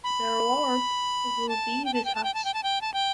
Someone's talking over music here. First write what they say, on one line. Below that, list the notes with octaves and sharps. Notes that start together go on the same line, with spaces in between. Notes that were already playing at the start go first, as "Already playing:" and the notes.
The Lord will be with us.
B5
A5
G5
A5
G5
A5
G5
A5
G5
A5
G5
A5
G5